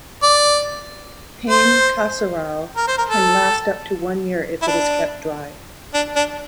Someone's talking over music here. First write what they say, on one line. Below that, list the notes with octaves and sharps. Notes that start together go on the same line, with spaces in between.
"Pane carasau" can last up to one year if it is kept dry.
D5
C5
A#4
C5
A#4
A4
E4
D4
D4
D4